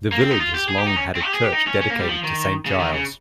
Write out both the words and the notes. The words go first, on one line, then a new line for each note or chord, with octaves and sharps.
The village has long had a church dedicated to Saint Giles.
A#3
C4
D#4
F4
G4
G#4
G4
D#4
C#4
C4
G4
G#4
G4
D#4
C#4
C#4
A#3
G3
F3
D#3
C#3
D#3
C#3